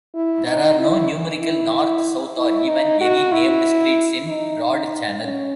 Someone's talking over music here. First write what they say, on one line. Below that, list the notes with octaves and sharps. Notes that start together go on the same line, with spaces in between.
There are no numerical north-south or even any named "Streets" in Broad Channel.
E4
D#4
E4
E4
E4
D#4
F#4
E4
D#4
C#4